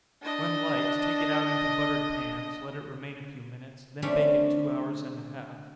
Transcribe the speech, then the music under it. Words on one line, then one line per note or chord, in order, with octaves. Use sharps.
When light, take it out into buttered pans, let it remain a few minutes, then bake it two hours and a half.
D4 D#5
D3 A3 C4 C#4 G4